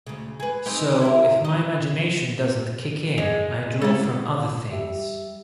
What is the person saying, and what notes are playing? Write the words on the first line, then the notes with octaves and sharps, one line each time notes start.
So if my imagination doesn't kick in, I draw from other things.
D2 C#3
G#4 B4
C4 D#4 G4
E4 A#4
D#5
G#3
G#3 E4 A4
G3 G4 E5